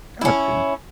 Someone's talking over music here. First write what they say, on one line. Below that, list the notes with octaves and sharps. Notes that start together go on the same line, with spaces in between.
Got you.
C#4 E4